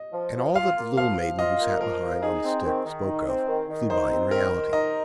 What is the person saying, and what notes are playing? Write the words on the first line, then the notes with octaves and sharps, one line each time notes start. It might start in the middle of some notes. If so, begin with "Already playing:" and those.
And all that the little maiden, who sat behind on the stick, spoke of, flew by in reality.
Already playing: D#5
F3
F3
F4 F5
A#3
F3 F5
F3
F4 D#5
A#3
F3 A#4
F3
D#4 G#4
C4
D#3
D#3
D#4
C4
D#3
D#3
D#4 C5
C4
D#3 A#4
D#3
D#4 D#5